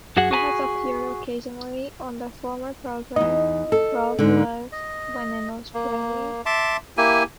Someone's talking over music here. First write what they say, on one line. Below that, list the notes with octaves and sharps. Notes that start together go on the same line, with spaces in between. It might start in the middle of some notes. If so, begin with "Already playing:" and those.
He has appeared occasionally on the former program "Rove Live" when in Australia.
F#2 F#4 G#4 F#5
F#4 G#4 G#5 A5 B5
E2 D#4 D#5
A4
G#2 D3
D#5
A#3
E5 A5 C6 D6
A#3 E4 G4 G#5